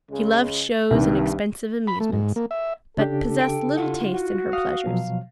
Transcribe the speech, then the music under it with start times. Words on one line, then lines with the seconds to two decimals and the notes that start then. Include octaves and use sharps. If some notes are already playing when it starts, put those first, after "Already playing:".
She loved shows and expensive amusements, but possessed little taste in her pleasures.
0.10 C#2 C#3 G#3
0.91 C2 G2 D#3
1.87 B5
2.00 A3
2.13 G#2
2.36 A#3
2.51 E5
2.97 C#3 D4 G4 A4
3.41 G5
3.77 E4 F4 F#5
4.13 F#4
4.53 F5 D#6
4.86 B2 F3 F#3